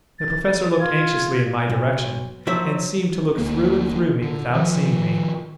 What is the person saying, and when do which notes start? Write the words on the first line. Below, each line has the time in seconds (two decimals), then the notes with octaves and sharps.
The Professor looked anxiously in my direction, and seemed to look through and through me without seeing me.
0.19 A6
0.80 F4 G#6
1.70 B1
2.47 F3 F#3 E5
3.38 D2 A#3
4.22 D3
4.54 D#3 F3